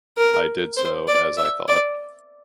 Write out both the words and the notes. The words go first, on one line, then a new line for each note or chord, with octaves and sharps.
I did so, as I thought.
A#4
C5
D5
E5
D5